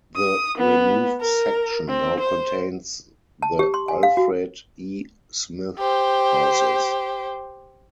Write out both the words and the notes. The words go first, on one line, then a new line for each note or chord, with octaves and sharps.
The removed section now contains the Alfred E. Smith Houses.
D#6
B3
A#4
C4
C5
A5
G4
C6
G#5
F5
F#4
G4 C5